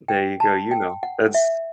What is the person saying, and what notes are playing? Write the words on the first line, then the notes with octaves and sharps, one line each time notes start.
There you go, you know. That's
G5
A5
G5
F#5
E5